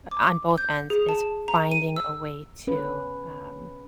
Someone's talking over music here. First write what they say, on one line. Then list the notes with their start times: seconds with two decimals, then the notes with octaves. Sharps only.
on both ends, is finding a way to, um
0.11 D6
0.58 G6
0.90 G#4
1.09 A5
1.48 A#5
1.71 D#7
1.96 E6
2.67 C#4 B4